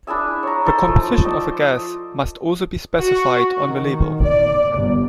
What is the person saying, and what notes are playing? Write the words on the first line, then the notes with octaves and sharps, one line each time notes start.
The composition of the gas must also be specified on the label.
D4 E4 G#4 E5
C#5 A#5
D#4 E4 A4 C5
F3 A3
C5 D5 D#5
F#4
D#3
D5
G1